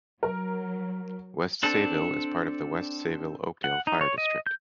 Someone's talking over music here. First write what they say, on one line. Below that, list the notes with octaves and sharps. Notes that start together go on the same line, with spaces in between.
West Sayville is part of the West Sayville-Oakdale Fire District.
F#3 A#4 A#5
C4 D4 A4
F#5
D#4
C#5
D#5
G6